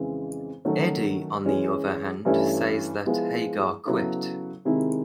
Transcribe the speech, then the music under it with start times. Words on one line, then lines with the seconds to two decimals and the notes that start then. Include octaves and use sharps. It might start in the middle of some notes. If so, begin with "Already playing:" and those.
Eddie, on the other hand, says that Hagar quit.
Already playing: F2 C#3 E3 G#3 C4
0.65 D#3 F#3 A3 C#4 F#4
1.45 E3 G#3 C#4
2.25 G2 E3 A3 C#4 E4
3.06 F3 G#3 B3 E4
3.85 C#3 F#3 B3 E4 A4
4.65 C3 D#3 G#3 C4 E4